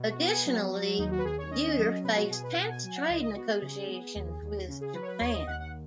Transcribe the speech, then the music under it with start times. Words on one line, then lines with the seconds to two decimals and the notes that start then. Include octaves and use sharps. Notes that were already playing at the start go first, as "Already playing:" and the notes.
Additionally, Yeutter faced tense trade negotiations with Japan.
Already playing: B2
0.10 F#4
0.19 B3
0.28 G#5
0.45 F#3
0.72 F#3
0.98 D#2 D#4
1.11 F#4
1.18 B4
1.25 D#2 G#4
1.38 C#5
1.51 C#4 D#5
1.77 F#3
2.04 B2 B4
2.17 F#4
2.30 B2 G#4
2.43 B4
2.57 B2 F#5
2.70 G#5
2.83 F#3 G#5
2.96 F#5
3.09 C#2 D#5
3.23 D#5
3.36 B3 F#4
3.49 G#4
3.62 C#3
3.89 B3
4.15 D#2
4.42 D#2
4.68 C#3
4.81 G#4
4.94 F#3 B4
5.02 C#5
5.08 B4
5.20 D#2 C#5
5.33 D#5
5.47 D#2 F#5
5.60 F#5